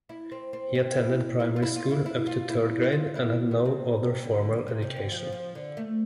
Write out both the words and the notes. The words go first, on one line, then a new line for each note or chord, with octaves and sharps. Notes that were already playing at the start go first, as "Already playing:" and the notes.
He attended primary school up to third grade and had no other formal education.
E4
C4
C4
C4
E4
E4
F4
E4
F4
E4
E4
F4
E4
F4
E4
B3
C3
D3
C3
C3
D3
F3
F3
D3
A3